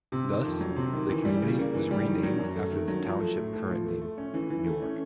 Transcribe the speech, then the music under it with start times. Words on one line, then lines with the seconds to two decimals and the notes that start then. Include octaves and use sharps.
Thus the community was renamed after the township current name, Newark.
0.12 C3
0.28 D#3
0.44 F2
0.61 F#3
0.76 C3
0.93 D#3
1.09 E3
1.25 G3
1.42 C#3
1.59 A#3
1.74 E3
1.91 G3
2.06 D#3
2.23 F#3
2.39 F#2
2.56 A3
2.71 D#3
2.88 F#3
3.04 F3
3.20 A3
3.36 A2
3.53 A2
3.69 F3
3.85 A3
4.02 A3
4.18 C#4
4.34 E3
4.50 E3
4.66 A3
4.82 C#4